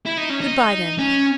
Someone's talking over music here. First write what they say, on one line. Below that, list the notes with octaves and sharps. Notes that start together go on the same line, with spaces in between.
"Good-bye, then."
E4
D#4
C#4
D#4
C#4